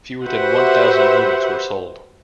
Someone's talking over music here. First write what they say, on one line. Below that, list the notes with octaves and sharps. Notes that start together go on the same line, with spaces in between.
Fewer than one thousand units were sold.
F#4 G4 B4 C5 E5 F#5